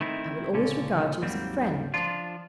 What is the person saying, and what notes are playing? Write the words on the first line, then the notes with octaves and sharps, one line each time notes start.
"I will always regard you as a friend."
D#3 A3 C4 E4
C#2 A#2 D3 C#4
D#2 G#2 F#3 G3 A#3 C4
F3 D4 F4